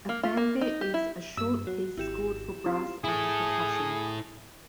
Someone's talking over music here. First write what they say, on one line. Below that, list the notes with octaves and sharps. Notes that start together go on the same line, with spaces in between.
A fanfare is a short piece scored for brass and percussion.
A#3
F4
A#3
D#4
G4
E4
G2 E6
F#3 F#4
G#1 E4 G4 E7
C4 F4
E4 G#4 A4